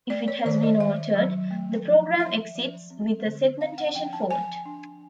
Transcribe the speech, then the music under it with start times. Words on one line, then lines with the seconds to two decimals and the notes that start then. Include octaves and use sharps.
If it has been altered, the program exits with a segmentation fault.
0.10 A3 D5
0.28 C#5
0.45 D#3 D5
0.63 D#5
0.80 D#3 E5
1.16 F#3
1.51 A3
1.85 F3
2.20 F3 E5
2.55 F3
2.90 C4
3.26 D3
3.60 C4 F5
3.78 F#5
3.95 F3 G5
4.13 A5
4.30 F3 G#5
4.65 D4